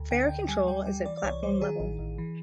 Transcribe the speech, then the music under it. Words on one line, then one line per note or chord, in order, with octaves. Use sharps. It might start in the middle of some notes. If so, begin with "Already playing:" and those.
Fare control is at platform level.
Already playing: D2
D3 G5
D2 G5
G3 G#5
G3 G5
G3 G5
E3 D5
D5
C2 C#5
G3 C5
D#3 G#4
A1
A1
E3